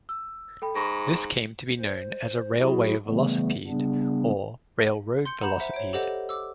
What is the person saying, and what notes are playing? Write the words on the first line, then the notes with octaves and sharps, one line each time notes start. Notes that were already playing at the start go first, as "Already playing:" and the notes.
This came to be known as a "railway velocipede" or "railroad velocipede".
E6
A4 G5 B5
G#2 B5 C#6 A#6
C5
F#3 E4 F#4 G#4
C#3 E3 G3 A3 B3
C#3 G3 B3 D4
C6 G6 C#7
F#5 A#5 B5 G6 E7
C5 E5 C#7
C#5 D7
G4 A4 C5 D#5 F#5
D6 E6